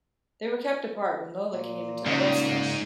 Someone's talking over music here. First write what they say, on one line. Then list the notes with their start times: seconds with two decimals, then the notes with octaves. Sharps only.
They were kept apart when Lola came into oestrus.
1.52 A#2
2.06 G#2 C#3